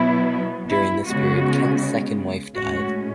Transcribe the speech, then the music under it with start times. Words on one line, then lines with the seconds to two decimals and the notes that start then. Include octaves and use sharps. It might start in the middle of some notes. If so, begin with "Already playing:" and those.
During this period, Kent's second wife died.
Already playing: B2 F#3 B3 E4
0.69 E4
1.06 C#3 G#3 B3 F#4
2.55 A2 G#3 C#4 F#4